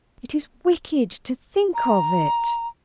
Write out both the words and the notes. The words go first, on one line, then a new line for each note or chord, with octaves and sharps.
"It is wicked to think of it."
A#5